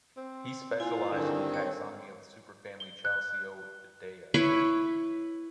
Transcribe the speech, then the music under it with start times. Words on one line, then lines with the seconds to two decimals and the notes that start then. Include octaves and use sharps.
He specialized in the taxonomy of the superfamily Chalcidoidea.
0.17 C4
0.80 A#2 E4 F4 G#5
1.12 G2 D3 D#3 C4
1.54 C#5
2.80 G7
3.05 F#6
4.34 E4 B4 C#5